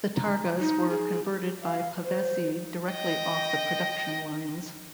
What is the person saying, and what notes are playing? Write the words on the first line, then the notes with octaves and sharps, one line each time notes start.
The targas were converted by Pavesi directly off the production lines.
A#5
D#4
G#4
G4
F5
C5
D#5 G5